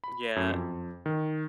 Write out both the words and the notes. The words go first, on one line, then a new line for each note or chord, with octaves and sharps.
Mm yeah.
B5
F#2
F2
D#3